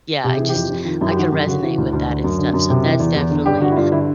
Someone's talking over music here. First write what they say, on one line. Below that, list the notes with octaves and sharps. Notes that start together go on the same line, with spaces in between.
yeah I just I can resonate with that and stuff. So that's definitely
C3 G4
E3 G#4
G4
F2
F2
D#3 F4
F#2 E4
G4
D#3 F#4
F#2 G4
C#3 F#4
E3
D2
D2
D3
F#2
D3
F#2
C3
E3
E2
E2
D3
G2 G4
D3 F#4
E4
G2 F4
D3 E4